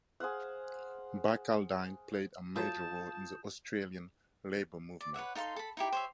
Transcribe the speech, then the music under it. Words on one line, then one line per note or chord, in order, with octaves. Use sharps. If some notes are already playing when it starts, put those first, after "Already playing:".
Barcaldine played a major role in the Australian labour movement.
G#4 C5 F5 F#5
F#3 A3 E4 F4 A5 D#6 G6 E7
D5
B4 C#5 E5 F#5
D#4 A4 F5 C6
A4 B5
D#4 E4 G4
C5 C#5 E5